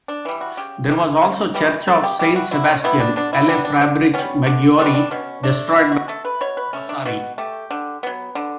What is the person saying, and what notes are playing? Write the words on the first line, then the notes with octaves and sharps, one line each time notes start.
There was also the church of Saint Sebastian "alle Fabbriche Maggiori", destroyed by Vasari.
D4
E3 G3
F#4
C#3 G4
E3 G3
C#3
E3 G3
C#3 A4
G4
E3 G3 G4
F#4
D3 E4
C#4
G3 B3 E4
D4
D3 D4
E4
G3 B3 D4
D4
D3 D4
G3 B3 C#4
D3 D4
G3 B3 D4
D4
B2 C#4
A3 D4
B2 E4
F#4
A3 A4
B4
B2 C#5
B4
A3 C#4
D4
B2 F#4
A3 G4
D3
F#3 B3
D3